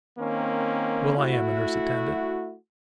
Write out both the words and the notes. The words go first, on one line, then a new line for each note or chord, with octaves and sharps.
Well, I am a nurse-attendant.
D#3 A#3 C4 C#4
A3 E4 F#4